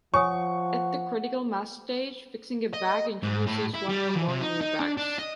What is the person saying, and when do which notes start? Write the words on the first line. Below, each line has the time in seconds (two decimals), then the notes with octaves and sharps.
At the critical mass stage, fixing a bug introduces one or more new bugs.
0.14 F3 C#5 F#5 G#5 C#6 D#6
2.74 D#5
3.23 G#2
3.46 A2
3.74 E4
3.89 G3
4.15 E3
4.28 C3
4.41 D#4
4.61 D#4
4.80 D4
4.97 D4
5.18 D#5